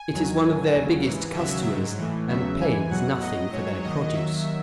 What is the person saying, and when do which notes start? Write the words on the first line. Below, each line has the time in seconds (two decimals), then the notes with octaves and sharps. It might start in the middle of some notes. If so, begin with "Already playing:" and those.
It is one of their biggest customers, and pays nothing for their produce.
Already playing: G#5
0.12 E2 D#3 F#3
0.44 A2 F#3
0.75 D#2 C#3 F#3
1.05 G#2 E3
1.36 D#2 C#3 F#3 E5
1.68 G#2 F#3
1.98 A2 E3
2.29 E2 C#3 F#3 E5
2.61 G#2 E3 G#5
2.90 E2 B2 F#3 F#5
3.22 A2 F#3 D#5
3.53 G#2 F#3 C#5
3.84 D#2 D#3 F#3 D#5
4.14 D#2 D#3 F#3 E5